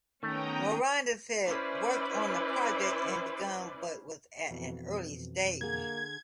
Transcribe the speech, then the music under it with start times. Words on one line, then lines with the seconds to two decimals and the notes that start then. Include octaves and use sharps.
Miranda said work on the project had begun but was at an early stage.
0.23 D#3 A3 B3 C#4 G5 A#5 D#6
1.45 C#4 E4 B4 C5 D5
4.51 F2 B2 E3
5.61 D3 A#3 G#4 G#6